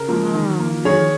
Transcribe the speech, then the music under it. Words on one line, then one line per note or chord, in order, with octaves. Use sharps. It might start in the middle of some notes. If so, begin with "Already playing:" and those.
Oh, man.
Already playing: C#3 A#4
F3 A#3
D#3
A#3
D#3 G#4 C#5